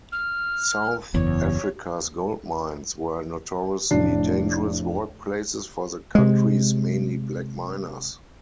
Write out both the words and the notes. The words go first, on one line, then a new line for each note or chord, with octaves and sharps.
South Africa's gold mines were notoriously dangerous workplaces for the country's mainly black miners.
F6
F#1 E2 C#5
F1 A2 D4 C7
C3 G#3